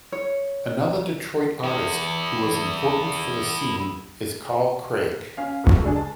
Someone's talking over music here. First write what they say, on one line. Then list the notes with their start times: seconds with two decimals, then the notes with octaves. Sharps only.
Another Detroit artist who was important for the scene is Carl Craig.
0.12 C#5
1.64 B3 E4
5.37 C#4 F5
5.64 B1 C#6
5.83 C#3 G#3 D4 G#4
5.96 A5